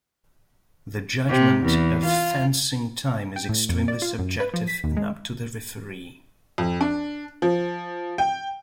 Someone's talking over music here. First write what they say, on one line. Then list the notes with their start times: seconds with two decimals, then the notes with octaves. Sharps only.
The judgement of "fencing time" is extremely subjective and up to the referee.
1.29 C3
1.63 E2
2.06 F4
3.36 G5
3.49 A2
3.69 F2
3.88 D5
4.02 F4
4.19 F#2
4.40 B4
4.54 F3
4.67 B6
4.84 D#2
4.97 G#3
6.58 F2
6.81 D4
7.42 F3
8.18 G5